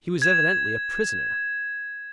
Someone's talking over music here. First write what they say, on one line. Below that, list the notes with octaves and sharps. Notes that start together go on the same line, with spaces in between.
He was evidently a prisoner.
G#6 E7